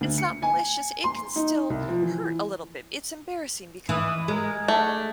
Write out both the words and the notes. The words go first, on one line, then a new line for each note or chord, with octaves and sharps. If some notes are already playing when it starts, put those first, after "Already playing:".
it's not malicious, it can still hurt a little bit. It's embarrassing because,
D2
C#7
G#5
C6
D#4
C2
F3
E3
E3 G#3 B5 D#6
G#3 A#4
A3 D4 F#5